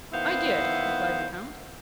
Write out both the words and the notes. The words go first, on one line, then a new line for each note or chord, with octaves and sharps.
"I did," replied the count.
D#3 B3 E4 C5 F5 F#5